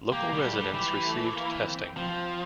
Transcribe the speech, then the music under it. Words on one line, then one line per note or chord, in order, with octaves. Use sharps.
Local residents received testing.
A#3 G4
G3
A3
G3
E3 G4
A3
A#3
C4
F3 C4